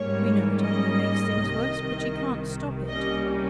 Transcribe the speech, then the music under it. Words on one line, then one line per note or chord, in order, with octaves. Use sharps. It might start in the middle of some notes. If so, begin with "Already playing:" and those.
"We know it only makes things worse, but she can't stop it."
Already playing: G#2 G3 A#3 C#4 C#5
D#5
C2 C3 D#3
C2 C3 G3 A#3 C#4 D#5